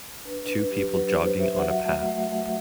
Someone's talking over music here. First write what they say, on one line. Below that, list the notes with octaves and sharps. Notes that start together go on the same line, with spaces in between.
Two people jogging on a path.
D4 B4
D4 B4
F#3 G4
F#3 B4
F#3 C5
F#3 E5
F#5
F#4 E5
A3
A3
A3